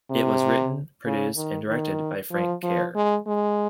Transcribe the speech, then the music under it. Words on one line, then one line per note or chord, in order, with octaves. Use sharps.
It was written, produced and directed by Frank Kerr.
C3
C#3
D#3
D#3
F3
F3
G#3
G#3